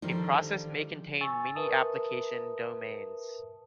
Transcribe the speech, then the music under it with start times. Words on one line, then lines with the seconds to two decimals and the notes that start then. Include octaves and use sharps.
A process may contain many application domains.
0.02 D3 D#3 F3 G3 D#4
1.21 G#5 C#6 E6 A6
1.55 A#4 B4 E5 A5 D#6